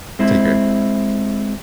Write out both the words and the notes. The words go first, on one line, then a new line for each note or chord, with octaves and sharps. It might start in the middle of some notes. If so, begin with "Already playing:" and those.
Take care.
G#3 C4 E4